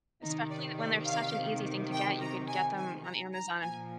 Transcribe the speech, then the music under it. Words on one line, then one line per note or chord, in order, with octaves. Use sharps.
Especially that when they're such an easy thing to get, you could get them on Amazon.
C3 D#3 D#4
D5
D5
F5
G5
A#5
G#5
G#5
A#5
A#5
A#2 F3 G#5